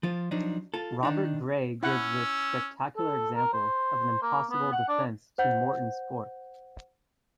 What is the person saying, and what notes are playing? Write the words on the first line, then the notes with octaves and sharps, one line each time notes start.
Robert Gray gives this spectacular example of an impossible defense to Morton's Fork.
F3 F4
F3 F#3 D4 D#4
F4 A4
D#3 D4 D#4
C#4 E4 F#5 E6
A4
A#4
C5
A#3
B3
F#5
D4
C5 F#5 G6